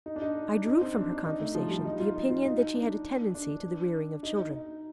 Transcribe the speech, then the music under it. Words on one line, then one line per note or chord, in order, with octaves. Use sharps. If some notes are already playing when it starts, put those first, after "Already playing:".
I drew from her conversation the opinion that she had a tendency to the rearing of children.
D#4
D4
D#4
D#4
C4
D4
D#4
D#4
A3
F3
G3
D#4
F4
D#4
F4
D#4
D4
D4
D#4
D#4
D#4